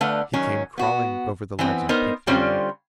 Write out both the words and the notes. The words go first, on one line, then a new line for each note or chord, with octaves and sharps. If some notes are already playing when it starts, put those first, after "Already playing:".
He came crawling over the ledge and peeked down.
D3 A3 B4 F5 F#5
D#3 F#3 C#4
B3 F#4
E3 B3 C4
B3 D#4 A#4 C5
D3 G3 C4 C#4 F4 C5